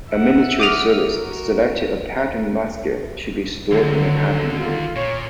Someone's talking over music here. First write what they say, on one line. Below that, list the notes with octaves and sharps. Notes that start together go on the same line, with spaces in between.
A military service selected a "pattern musket" to be stored in a "pattern room".
E5 F#5
D6 D#6 F6
F#4 A#4
D#2 D3 F#3
F4
A#2 C#5